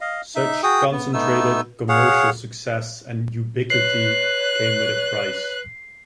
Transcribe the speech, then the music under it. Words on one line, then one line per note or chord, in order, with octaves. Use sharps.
Such concentrated commercial success and ubiquity came with a price.
D#5 F5
D#4 E5
F#4 G#4 G5 D#6
B3
A3 B3 D#4 E6
G#4 C#5 F5 F#5
B4 C#5 F#6 C7